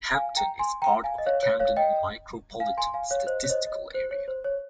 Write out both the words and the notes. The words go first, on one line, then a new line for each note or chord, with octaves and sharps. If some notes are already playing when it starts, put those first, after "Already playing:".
Hampton is part of the Camden Micropolitan Statistical Area.
F5 G#5
G5 A#5
G#5 C6
G5 A#5
F5 G#5
D#5
C#5 F5
C#5
C#5 F5
D#5 G5
F5 G#5
G#5 C6
F5 G#5
C#5 F5
C5 D#5
C#5
C5 D#5
D#5
C#5
C5
C#5
C5
C#5